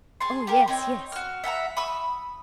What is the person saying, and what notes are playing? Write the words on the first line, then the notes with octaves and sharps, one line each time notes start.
"Oh, yes, yes!"
G#4 A5 C6
G4 A#4
C4 D#4 C#5
F#4 F6
E5 F#5 A5 A#5
B5 C#6 D#6 E6